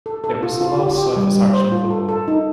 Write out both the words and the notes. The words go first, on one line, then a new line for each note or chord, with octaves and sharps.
It was the last surface action of the war.
A4
A4
F4
F4
G4
G4
G3
G3
C5
F4
A4
A4
D#4